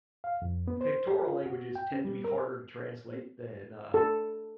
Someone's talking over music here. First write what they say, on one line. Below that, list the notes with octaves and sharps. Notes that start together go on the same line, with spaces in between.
pictorial languages tend to be harder to translate than, uh
F5
F2
B3
C5
G4
F4
F#4
G5
C#4
G3
A#4
A4